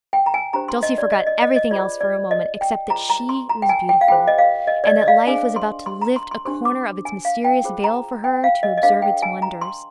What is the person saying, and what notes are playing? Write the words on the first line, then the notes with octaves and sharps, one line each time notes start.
Dulcie forgot everything else for a moment except that she was beautiful, and that life was about to lift a corner of its mysterious veil for her to observe its wonders.
G5
A#5
G#5
D4 G4 C5 A#5
C6
D#5
D5
D#5
D#5
D#5
D#5
F4 G#4 C5 D5
D5
D#5
G5
F4 G#4 C5 A#5
A#5
C6
A#5
G5
G#5
G5
F5
F4 G#4 C5 G5
D#5
F5
D#5
D5
D#5
D#5
F5
D4 G#4 C5 G#5
C6
C6
A#5
C6
C6
D4 G4 C5 C6
D6
G#5
F5
G5
F4 G#4 C5
A#5
G5
F5
D#5
D#5
D4 G#4 C5 F5
G5
G#5
A#5
C6